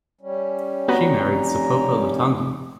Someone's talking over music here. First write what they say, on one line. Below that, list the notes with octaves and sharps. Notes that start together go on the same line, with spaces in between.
She married Sipopa Lutangu.
G3 C#4
F1 B3 F#4 B4 A#5